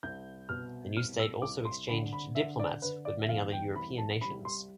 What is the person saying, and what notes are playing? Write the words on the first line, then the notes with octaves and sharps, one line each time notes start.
The new state also exchanged diplomats with many other European nations.
C2 G6
B2 F6
C2 F6
E6
C2 D6
C6
D3 B5
B5
D3 E5
D5
D3 B4
D5
E5
E2 F5
G5
C2 B5
A5
G3 B5
C6